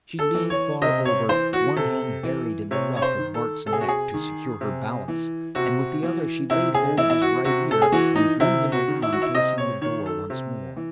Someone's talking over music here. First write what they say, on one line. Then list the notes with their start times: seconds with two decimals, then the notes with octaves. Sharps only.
She leaned far over, one hand buried in the ruff of Bart's neck to secure her balance, and with the other she laid hold of his right ear and drew him around facing the door once more.
0.19 A4
0.34 E3
0.50 C#5
0.82 C3 D#5
1.05 C#5
1.28 E3 C5
1.53 F#4
1.76 C3 A4
2.23 E3
2.71 C3 C#5
2.97 C#5
3.02 C5
3.18 D#3
3.34 A4
3.66 C3 A4
3.73 G#4
3.81 F#4
3.88 G#4
4.14 D#3
4.61 C3
5.08 E3
5.55 C3 F#4
6.03 E3
6.50 C3 E4
6.74 G#4
6.97 E3 E4
7.10 E4
7.22 F#4
7.45 C3 F#4
7.71 A4
7.82 G#4
7.92 E3 F#4
8.16 D#4
8.40 C3 E4
8.72 F#4
8.88 D#3
9.02 E4
9.13 F#4
9.22 E4
9.35 C3 D#5
9.58 C#5
9.81 D#3 C#5
10.06 A4
10.30 C3
10.76 E3